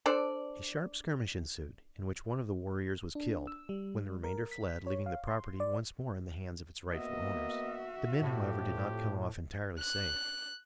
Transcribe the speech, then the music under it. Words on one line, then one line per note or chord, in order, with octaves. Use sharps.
A sharp skirmish ensued in which one of the warriors was killed, when the remainder fled, leaving the property once more in the hands of its rightful owners. The men however did not come off entirely safe.
D4 A4 C5 D5
D4
E6
G3
A#4
B6
C#5
F5
C6
D5
A#3 B3 F#4 D#5 E5
F2 A2 G4
F#6